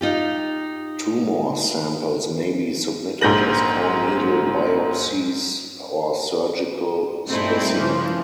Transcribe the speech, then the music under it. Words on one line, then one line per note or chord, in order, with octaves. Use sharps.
Tumor samples may be submitted as core needle biopsies or surgical specimen.
D#4 F4 G4
A#1 G#2 G6 A#6 F#7
G2 A#2 A3 C4 D#4 E4
C#3 E3 F3